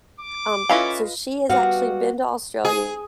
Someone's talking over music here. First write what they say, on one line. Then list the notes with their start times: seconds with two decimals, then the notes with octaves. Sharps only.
Um, so she has actually been to Australia,
0.20 D6
0.70 C#4 E4 F4 A4 B4 D#5 F5
1.49 G3 B3 F#4 F5
2.65 G#4